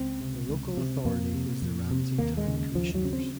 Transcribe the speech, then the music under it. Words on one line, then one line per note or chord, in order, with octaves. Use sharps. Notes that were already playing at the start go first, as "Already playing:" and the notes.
The local authority is the Ramsey Town Commissioners.
Already playing: C#2 C4
C3
C#2
C3
F2 A#3
C3
F2
C3
D#2 A#3
G#3
C#3
D#2 F3
F#3
C#3 C#4
C4